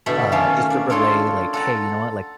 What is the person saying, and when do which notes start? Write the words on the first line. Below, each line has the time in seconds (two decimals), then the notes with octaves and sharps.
uh, just to relay, like, "Hey, you know what, like,
0.06 B2 D3 E4 A4 E5 B5
0.32 D#3 A3 A#3 C#4
0.70 D4
0.90 D4 F4 A4 C#5 C6
1.54 A4 F#5 A#5